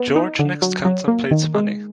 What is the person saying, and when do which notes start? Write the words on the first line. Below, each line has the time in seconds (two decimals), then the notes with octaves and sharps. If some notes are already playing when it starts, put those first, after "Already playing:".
George next contemplates money.
Already playing: B3
0.16 D#4
0.39 D3
0.62 F#3
0.85 F#3
1.08 A#3
1.31 D#3
1.55 G#3